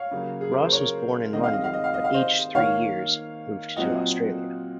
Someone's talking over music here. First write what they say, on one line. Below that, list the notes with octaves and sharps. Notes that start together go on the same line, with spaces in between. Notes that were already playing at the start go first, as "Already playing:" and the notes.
Ross was born in London but aged three years, moved to Australia.
Already playing: C#5 F5
C#3 F#3 A#3
G#4
A#4
C5
A#4 C#5
D#3 G#3 C4 D#5
F5
D#5
F5
D#5
F5
D#5
F5
C5 D#5
D#3 A#3 C#5 F5
A#2 F#3 C4 D#5 F#5